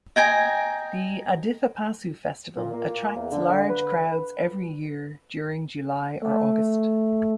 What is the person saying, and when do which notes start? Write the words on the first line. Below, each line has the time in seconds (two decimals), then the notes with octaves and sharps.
The Adithapasu festival attracts large crowds every year during July or August.
0.16 D#5 G5 G#5 A#5
2.57 A#2
2.74 A#3
3.16 E2
3.32 D3
3.69 B4
6.22 A3